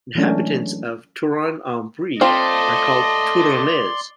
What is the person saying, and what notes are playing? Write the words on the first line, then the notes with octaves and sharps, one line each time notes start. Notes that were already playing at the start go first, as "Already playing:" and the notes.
Inhabitants of Tournan-en-Brie are called "Tournanais".
E3 F#3 G#3 A3 C#4 D4
A3 C4 F4 C5 D5 D#5 C6